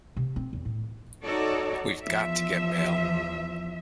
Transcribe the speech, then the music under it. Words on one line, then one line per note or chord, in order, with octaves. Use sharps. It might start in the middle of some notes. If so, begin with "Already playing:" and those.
We've got to get bail.
C3
C4
E2
A2
D#4 F#4 A4 C#5 D5
E2 F3 E5